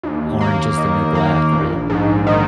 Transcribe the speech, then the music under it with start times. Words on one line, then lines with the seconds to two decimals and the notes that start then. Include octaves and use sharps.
Orange Is the New Black, right?
0.03 D#2
0.41 A#3
0.78 D#3
1.15 A#3
1.52 A#1
1.90 G#2
2.27 D#3